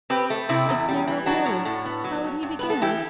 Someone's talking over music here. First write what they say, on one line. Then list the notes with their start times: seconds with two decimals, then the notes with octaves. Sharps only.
It's narrow quarters; how would he begin?'
0.10 C4 G4 B4
0.30 A3
0.49 C3 C4 E4
0.69 E2
0.89 G3
1.07 E3
1.26 F#3 D4 F#4
1.46 A2
1.65 A2
1.85 B3
2.04 F#3
2.24 G2
2.43 G2
2.59 B3 B4
2.70 A4
2.81 E3 E4 G4